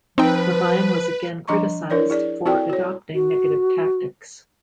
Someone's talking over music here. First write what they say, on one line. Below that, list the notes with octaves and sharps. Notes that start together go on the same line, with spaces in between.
Levein was again criticised for adopting negative tactics.
F3 C4 D#4 B4 G5
F3 D4 D#5 A#5 C6 C#6
D4 E4 A#4 C#5 D5
E4 G#4 D5
C4 E4 F#4 A4 D5 G5
F#4 C#5
F#4